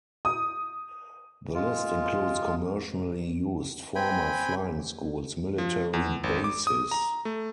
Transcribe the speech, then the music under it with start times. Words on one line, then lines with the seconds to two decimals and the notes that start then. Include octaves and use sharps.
The list includes commercially used, former, flying schools, military bases.
0.25 D#6
1.54 G#3 F4
3.95 C4 G5 G#5 B5
5.58 F3
5.93 E2
6.24 G#1
6.44 D6
6.67 D#6
6.91 A#5
7.25 A3